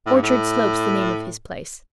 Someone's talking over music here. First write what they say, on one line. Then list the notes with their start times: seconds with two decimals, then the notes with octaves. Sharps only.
Orchard Slope's the name of his place.
0.06 A2
0.15 G2
0.23 A2